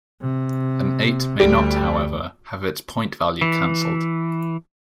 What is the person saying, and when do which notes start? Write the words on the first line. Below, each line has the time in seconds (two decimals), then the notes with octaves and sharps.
An eight may not, however, have its point value canceled.
0.22 C3
1.40 D2 G3 D7
3.41 E3